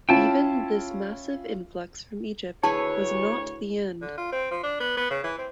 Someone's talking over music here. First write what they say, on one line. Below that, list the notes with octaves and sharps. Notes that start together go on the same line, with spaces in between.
Even this massive influx from Egypt was not the end.
C#4 E4 F4 G5 A5
D2 E4 G#4 B4 C#5 A5
D3
F4
C4
F3
D4
B3
B3
C#3
E3
C4